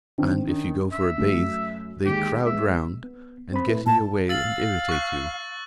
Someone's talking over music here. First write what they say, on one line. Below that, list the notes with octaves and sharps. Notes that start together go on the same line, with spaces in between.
And, if you go for a bathe, they crowd round, and get in your way, and irritate you.
D#3 C4 D4
D#3 C#4 D4
E5
F#2 A3
D#2 G#3 G4
G#3 B3 E5
B3
C4 C5 B5
A3 E4 B4
A2 A5
F5 E6 A6 F#7
C#6 F#6